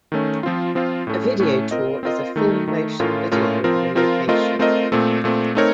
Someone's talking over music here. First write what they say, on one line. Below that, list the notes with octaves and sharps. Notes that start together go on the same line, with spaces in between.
A video tour is a full motion video of a location.
D#3 A3 C#4
F3 C4 F4
F3 C4 F4
A2 A3 C#4
A2 A3 C#4
C4 F4 A#4 D#5
C4 F4 A#4 D#5
D#3 A3 D#4
D#3 A3 D#4
A2 A3 C#4 F4 A#4
A2 A3 C#4 F4 A#4
F3 C4 F4 A#4
F3 C4 F4 A#4
A3 C4 F4 A#4 D#5
A3 C4 F4 A#4 D#5
A#2 A3 C4
A#2 A3 C4
A3 C4 D#4 A#4 C#5